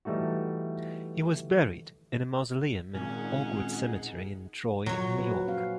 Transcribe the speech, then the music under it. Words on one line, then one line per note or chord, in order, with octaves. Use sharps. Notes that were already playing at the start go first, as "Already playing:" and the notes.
He was buried in a mausoleum in Oakwood Cemetery in Troy, New York.
E3 G3 A3 D#4 F#4
G#1 A#2 C#4 D#4 G#4 F#5
A#2 F3 F#3 C#5
F#4 B4
C#4 F5